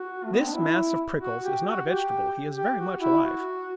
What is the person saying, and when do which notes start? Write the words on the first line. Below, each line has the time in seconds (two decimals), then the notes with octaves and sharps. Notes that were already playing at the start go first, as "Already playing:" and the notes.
This mass of prickles is not a vegetable; he is very much alive.
Already playing: F#4
0.25 A3
0.33 B3
0.39 C4
0.47 D4
0.53 E4
1.21 F#4
1.44 G4
1.66 F#4
1.89 G4
2.56 G4
2.78 F#4
3.01 E4
3.24 F#4